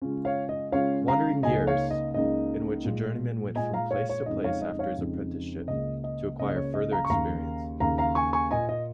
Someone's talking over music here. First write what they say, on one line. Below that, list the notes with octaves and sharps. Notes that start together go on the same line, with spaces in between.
Wandering years, in which a journeyman went from place to place after his apprenticeship, to acquire further experience.
C#3 G#3 C#4 F4
C#5 F5
D#5
C#3 G#3 C#4 F4 C#5 F5
F5 A#5
C#2 C#3 A#3 D#4 D#5 G#5
C#5 F5
D#5
C#2 C#3 A#3 D#4 D#5
A#2 G#3 F4
A#2 G#3 F4 D#5 G#5
F5 A#5
C#5 F5
C#5
F2 C#3 G#3 D#4 D#5
C#5 F5
D#5
C#5 F5
F2 C#3 G#3 D#4
C#2 C#3 A#3 D#5
D#5
C#2 C#3 A#3 D#5
C#5
D#5
F5 A#5
C#6
D#2 C#3 A#3 F5 A#5
D#2 C#3 A#3 F5 A#5
F5 A#5
G#5 C#6
G#5 C#6
A#2 A#3 F4 D#5 G#5
D#5